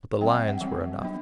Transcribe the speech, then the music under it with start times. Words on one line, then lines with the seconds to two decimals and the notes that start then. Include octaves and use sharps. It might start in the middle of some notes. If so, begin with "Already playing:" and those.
But the lines were enough.
0.21 F#3 C4 G5
0.34 E5
0.48 F#5
0.61 E3 G3 C4
1.01 F#3 B3 D4